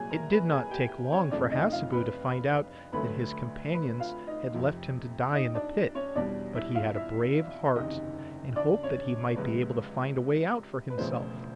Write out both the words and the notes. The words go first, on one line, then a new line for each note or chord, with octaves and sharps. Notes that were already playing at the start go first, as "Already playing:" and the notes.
It did not take long for Hassebu to find out that his companions had left him to die in the pit, but he had a brave heart, and hoped that he might be able to find a way out for himself.
Already playing: C2 A#2 F#3 G#4 G#5
A#4 A#5
B4 B5
G#4 G#5
G4 G5
C#4 C#5
F1 F2 C#3 F3 A3 D4 D5
D#4 D#5
F4 F5
B4 B5
D2 D3 F#3 A3 B4 B5
B4 B5
F4 F5
D#4 D#5
F2 C3 F3
D#4 D#5
D4 D5
C#4 C#5
E2 B2 G3 D4 D5
E4 E5
F4 F5
E4 E5
F#1 E2 C3 D#3 D#4 D#5
D4 D5
C#4 C#5
C#2 C3 F3 G#3 B4
B4
E1 D2 C#3 F3 A3 C5